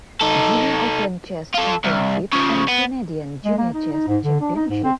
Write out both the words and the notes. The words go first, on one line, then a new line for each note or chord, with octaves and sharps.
Junior Open Chess Championship and Canadian Junior Chess Championship.
D#4 A4
F4 A4
C2
C#3 F3
B3
G#3
A#3
D#4
D#4
G#2
D3
D4
D#4
G#2
C4